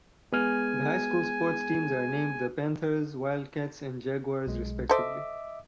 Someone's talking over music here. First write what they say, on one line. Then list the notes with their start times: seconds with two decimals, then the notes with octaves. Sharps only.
The high school sports teams are named the Panthers, Wildcats, and Jaguars, respectively.
0.33 G#3 B3 G#5 F6
4.47 B1 G#3
4.89 A4 C5 D#5 E5 D6